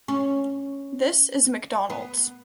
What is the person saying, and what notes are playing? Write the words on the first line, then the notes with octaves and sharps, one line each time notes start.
This is Mcdonald's.
C#4
B3